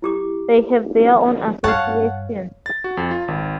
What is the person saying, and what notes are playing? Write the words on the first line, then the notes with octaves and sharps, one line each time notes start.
They have their own association.
E4 G4 D6
G2 C#5 F5 F#5 A5
A6
F#4
F2
F4
G#1